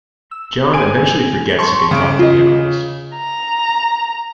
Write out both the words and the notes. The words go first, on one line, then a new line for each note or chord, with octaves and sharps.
John eventually forgets he can talk to animals.
E6
G#5 D7
A5 C6 C#6
G2 C#3 D7
F4 D#5
A#5